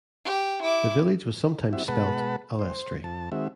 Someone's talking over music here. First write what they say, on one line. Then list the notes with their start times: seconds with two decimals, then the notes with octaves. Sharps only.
The village was sometimes spelt 'Alestry'.
0.25 G4
0.62 E4 D6
1.73 G3 C4 E4 F#4 E5
1.88 B2 G#3 B4 F#5 A5 B5
2.59 C5
3.04 F2 A5
3.32 D#3 G#3 C4 F#4 E5